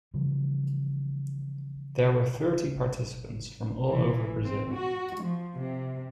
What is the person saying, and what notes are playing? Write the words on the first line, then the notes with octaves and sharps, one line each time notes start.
There were thirty participants from all over Brazil.
C#3 E3 F3 G3
E3
C4
F#4
F3
C3